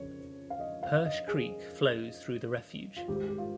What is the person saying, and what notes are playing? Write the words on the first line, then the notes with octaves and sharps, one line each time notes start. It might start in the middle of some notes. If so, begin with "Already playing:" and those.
Perche Creek flows through the refuge.
Already playing: F2 C#3 C#5
F5
D#5
F5
D#5
G#4
F4
G#1 G#2 G3 G4
G4
F4